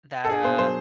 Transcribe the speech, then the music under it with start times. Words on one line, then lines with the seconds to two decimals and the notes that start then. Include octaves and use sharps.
that, uh
0.25 A4
0.29 D4 G#4
0.43 B2 C5
0.58 F#3 C5